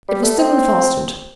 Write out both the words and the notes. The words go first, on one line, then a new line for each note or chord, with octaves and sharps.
It was still unfastened.
G3
A3
C4